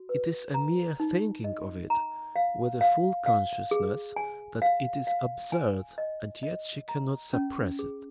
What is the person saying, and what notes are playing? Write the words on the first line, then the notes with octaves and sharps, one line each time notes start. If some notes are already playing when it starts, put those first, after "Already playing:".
It is a mere thinking of it with a full consciousness that it is absurd, and yet she cannot suppress it.
Already playing: F#4
B4
A#5
D#4
D#5
A#5
F5
F5
F5
G#4
G#5
F5
F5
G#5
D#5
D#5
A#5
C#4
G#4